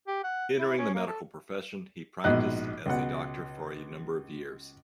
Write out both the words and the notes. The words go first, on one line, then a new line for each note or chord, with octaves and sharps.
Entering the medical profession, he practised as a doctor for a number of years.
G4
F#5
E4
C#4
A#3
A4
A#1 G#2 B2 D#5 F#6
C#2 B2 F#5